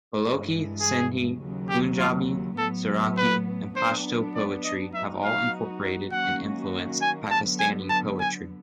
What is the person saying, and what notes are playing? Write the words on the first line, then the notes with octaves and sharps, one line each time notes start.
Balochi, Sindhi, Punjabi, Seraiki, and Pashto poetry have all incorporated and influenced Pakistani poetry.
G2 E3 G#3
G#4
D#2 C#3 F#3
G4
F4
A2 F#3 B3 A4
B4
F#3 B3 D4 C5
D5
D#5
F#3 B3 D#4 F#4 E5
F5
D#3 F#3 A#3 C#4 F#4 F#5
G#5
D3 F#3 B3 A5
G#5
A5
G#5